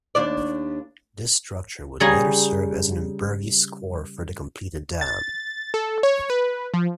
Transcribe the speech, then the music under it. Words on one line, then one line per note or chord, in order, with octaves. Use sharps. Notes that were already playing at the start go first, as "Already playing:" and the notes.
This structure would later serve as an impervious core for the completed dam.
D#2 D4 D5
C#3 G3 G#4 C#5 G#5 A#5
A6
A4
C#5
B4
F3